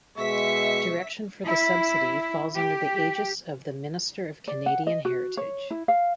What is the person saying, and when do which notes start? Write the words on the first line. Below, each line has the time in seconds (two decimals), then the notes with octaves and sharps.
Direction for the subsidy falls under the aegis of the Minister of Canadian Heritage.
0.18 B2 G#3 E5 C#6 B6
1.44 E4
2.54 G4
4.48 D5
4.66 F#5
4.87 D#5
5.05 F#4
5.37 C#5
5.71 E4
5.88 F5